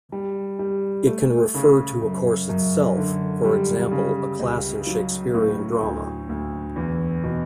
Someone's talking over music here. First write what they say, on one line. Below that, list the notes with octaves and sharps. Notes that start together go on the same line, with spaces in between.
It can refer to a course itself, for example, a class in Shakespearean drama.
G3
G3
A3
C#3
F#2
F#2
D3
G3
C#3
C#2
F#3
A2
D2
D2
E2
B2